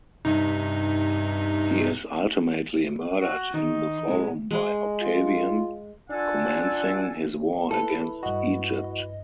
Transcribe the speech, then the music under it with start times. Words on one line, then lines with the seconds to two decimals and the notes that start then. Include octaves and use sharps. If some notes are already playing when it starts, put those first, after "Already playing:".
He is ultimately murdered in the Forum by Octavian, commencing his war against Egypt.
0.25 G2 C3 D#4
3.21 F#4
3.54 D#3 D#4
4.08 A2 C3 G#3
4.51 G#3
5.02 F4
6.10 D4 F4 A4 F#5 G#5
7.71 E4 A4 B4
8.23 G2 F#4 D#5